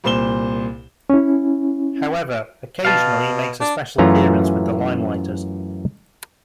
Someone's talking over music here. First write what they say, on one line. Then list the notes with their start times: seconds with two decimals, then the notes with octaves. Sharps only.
However, occasionally he makes a special appearance with the Limeliters.
0.04 C2 A#2 C5 E7 G7
1.10 C#4 E4
2.85 B2 F5 A5
3.60 D4
3.98 F#2 E3 A3 C#4 F4 A#5